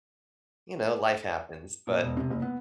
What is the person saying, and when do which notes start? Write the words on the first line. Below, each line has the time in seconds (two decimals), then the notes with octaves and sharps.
you know, life happens, but
1.87 A#2
2.03 E1
2.17 C3
2.30 F#1
2.42 B3